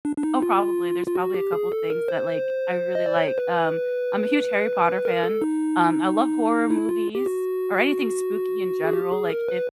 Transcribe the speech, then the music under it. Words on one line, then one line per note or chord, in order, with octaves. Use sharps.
Oh, probably, there's probably a couple of things that, like, I really like. Um, I'm a huge Harry Potter fan, um, I love horror movies or anything spooky in general, like, if
D4
D4
D#4
F4
F4
F#4
G4
G#4
A4
A#4
C5
D#5
D5
C#5
C5
B4
A#4
A4
D#4
E4
F4
G4
F#4
G#4
G4
G#4
A#4
B4